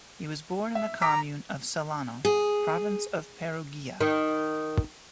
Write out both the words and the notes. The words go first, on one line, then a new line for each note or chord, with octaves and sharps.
He was born in the comune of Sellano, province of Perugia.
E5
A#5 D6 B6
G#4
D#3